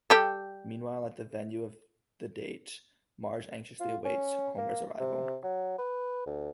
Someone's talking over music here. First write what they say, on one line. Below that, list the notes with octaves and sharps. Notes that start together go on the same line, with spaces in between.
Meanwhile, at the venue of the date, Marge anxiously awaits Homer's arrival.
G3 G4 A4
F4
C#4
A#3
C3
F#3
B4
D2